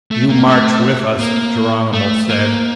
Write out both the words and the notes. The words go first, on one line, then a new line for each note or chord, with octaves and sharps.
"You march with us," Geronimo said.
A3
A#3
A3
A#3
A3
A#3